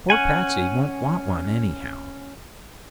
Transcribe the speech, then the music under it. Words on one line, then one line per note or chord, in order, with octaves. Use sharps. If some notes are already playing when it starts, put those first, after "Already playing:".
Poor Patsey won't want one, anyhow.'
C#4 F#5 G#5